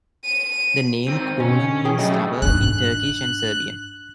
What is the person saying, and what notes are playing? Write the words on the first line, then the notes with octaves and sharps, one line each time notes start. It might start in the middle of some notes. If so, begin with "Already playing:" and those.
The name "Kula" means "tower" in Turkish and Serbian.
D#7
D#3 C4
B2 C#4
G#4 G5
C#3 F#3 A3 G#4 D#5
G#2 D4 F#6